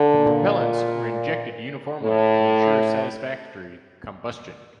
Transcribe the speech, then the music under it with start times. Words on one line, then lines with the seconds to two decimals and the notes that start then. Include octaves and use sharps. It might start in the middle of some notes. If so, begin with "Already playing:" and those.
The propellants were injected uniformly to ensure satisfactory combustion.
Already playing: D3
0.16 A#2
2.03 A2